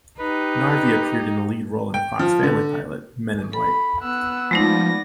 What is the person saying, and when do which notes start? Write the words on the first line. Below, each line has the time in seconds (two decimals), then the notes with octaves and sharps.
Narvy appeared in a lead role in a Fox Family pilot, "Men in White".
0.19 D#4 G4 B4
1.94 G5
2.19 F3
2.43 D3
3.53 A4 B5
4.03 B3 E6 F#6
4.51 F3 G#3 A3 D#4 D5 A#6